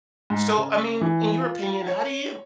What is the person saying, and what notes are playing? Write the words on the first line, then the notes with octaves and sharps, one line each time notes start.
So, I mean, in your opinion, how do you
G#2
C#3
E3
F4
C#5